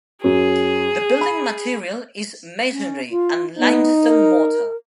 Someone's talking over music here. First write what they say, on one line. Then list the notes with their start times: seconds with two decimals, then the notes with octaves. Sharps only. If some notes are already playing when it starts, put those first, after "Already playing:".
The building material is masonry and limestone mortar.
0.24 F#2 G#4
1.21 B5
2.70 C#4
3.10 F4
3.59 B3 D#4
4.03 A#4